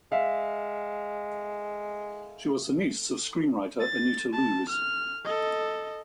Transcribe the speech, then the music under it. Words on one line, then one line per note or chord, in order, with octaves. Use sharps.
She was the niece of screenwriter Anita Loos.
G#3 E5 F5
A6
A5
F6
A4 D#5